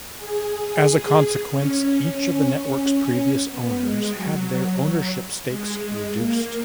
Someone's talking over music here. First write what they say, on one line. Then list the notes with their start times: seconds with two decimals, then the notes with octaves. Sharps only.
As a consequence, each of the network's previous owners had their ownership stakes reduced.
0.17 G#4
1.50 C#4
3.48 B3
3.81 G#3
4.14 F#3
4.81 F#3
5.47 G#3
6.14 A#3